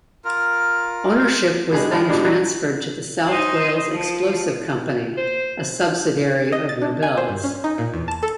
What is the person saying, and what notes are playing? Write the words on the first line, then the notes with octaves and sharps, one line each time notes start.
Ownership was then transferred to the South Wales Explosive Company, a subsidiary of Nobel's.
F4 A#4
B2 D3 G3 G#3 G#4
G#1 F3 A5
G#2 B2 D3 G3 D4
F#3
D#4 C5
F3
C5
D#5
A6
D4
G#5
C5
G2
C#4
D#4
A#2
E2
A5
A4